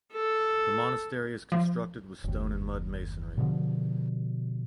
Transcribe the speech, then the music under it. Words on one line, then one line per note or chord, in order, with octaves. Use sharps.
The monastery is constructed with stone and mud masonry.
A4
F3
F#1 D#2
B2 D3 F3